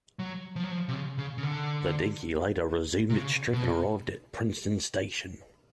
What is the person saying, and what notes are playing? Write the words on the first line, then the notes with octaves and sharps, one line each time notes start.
The Dinky later resumed its trip and arrived at Princeton station.
F#3
F3
F#3
F3
C3
C#3
C#3
C#3
D3
C3
C#3
B2